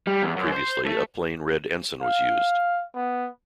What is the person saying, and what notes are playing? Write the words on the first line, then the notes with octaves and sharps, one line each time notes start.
Previously a plain red ensign was used.
G3
E2
F#2
C5
A3
F5
B3